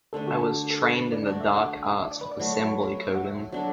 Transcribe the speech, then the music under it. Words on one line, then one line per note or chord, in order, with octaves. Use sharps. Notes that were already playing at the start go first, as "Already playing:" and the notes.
I was trained in the dark arts of assembly coding.
D3 A3 D4 A4
F#4
A4
A4
A4
B4
D5
A3 D4 F#4 D5
E5
F#5
D5
B4
D5
F#3 A3 F#4 B4
F#5
E5
F#3 D4 A4